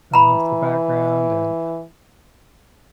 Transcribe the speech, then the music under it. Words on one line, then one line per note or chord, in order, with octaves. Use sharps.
amongst the background, and
E3 A#5 B5